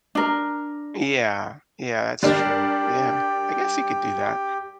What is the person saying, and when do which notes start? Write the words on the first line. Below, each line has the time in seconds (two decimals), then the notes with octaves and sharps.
Yeah, yeah, that's true. Yeah. I guess you could do that.
0.15 D4 A#4
2.23 G3 D4 G4 A#4